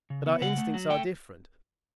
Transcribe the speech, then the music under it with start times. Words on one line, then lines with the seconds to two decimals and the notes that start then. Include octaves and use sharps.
But our instincts are different.
0.10 C#3
0.26 B3
0.41 C#3 F#5
0.58 A3
0.74 F#3
0.90 A3 G5